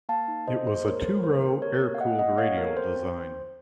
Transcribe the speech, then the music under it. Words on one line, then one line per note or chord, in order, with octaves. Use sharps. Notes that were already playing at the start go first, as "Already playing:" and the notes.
It was a two-row, air-cooled radial design.
A#3 F5 A5
D#4
A4 C5 D#5
A#3 C5
A#3 A#4 C#5
A4 C5
A#4
A#3 C5
A#3
A4 A#4 C#5
A#3
F5
A#3 D#5 F#5
A#3 D#5 F#5
A#3 C#5 F5
A4 A#4
C4 C5
C4